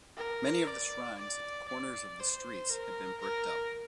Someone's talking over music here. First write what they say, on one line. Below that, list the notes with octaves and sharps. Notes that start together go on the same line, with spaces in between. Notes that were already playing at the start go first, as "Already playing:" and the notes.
Many of the shrines at the corners of the streets had been bricked up.
A#4
D5
D5
D5
C5
A#4
A#4